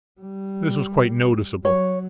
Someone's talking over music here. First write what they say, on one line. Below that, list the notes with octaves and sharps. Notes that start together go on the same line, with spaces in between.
This was quite noticeable.
G3
F#3 C#5